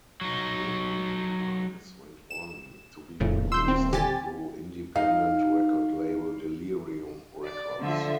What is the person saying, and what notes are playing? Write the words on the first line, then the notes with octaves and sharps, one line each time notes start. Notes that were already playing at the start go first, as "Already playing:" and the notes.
"No Compromize" went on to be released through independent record label Delerium Records.
F#3 D#4
E7
D#1 F2 A2 C#3
C6 E6 G6
C4
D3 G4 G#5 A6
D#4 F5
D5
D3 F3 E5